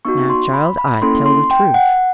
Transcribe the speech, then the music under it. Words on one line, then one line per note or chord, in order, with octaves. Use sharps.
Now, child, I tell the truth.
B3 D#4 F#4 C#6
C6
B5
B5
A#3 C#4 E4 A4 C6
C6
G5
F#5